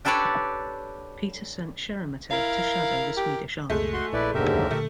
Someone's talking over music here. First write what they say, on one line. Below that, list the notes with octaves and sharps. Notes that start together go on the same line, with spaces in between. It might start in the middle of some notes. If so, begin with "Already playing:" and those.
Peter sent Sheremetev to shadow the Swedish army.
D4 G4 A4 B4 C#5 D5
E4 A#4 F5
G4
F#1 C#2 G#3 A3
F#4 C6
A#1 E4 B4 D5
F#1 D#2 G#2 B2 D3 G4 A#4 E5
C#2 F#2
A#2 D3 A3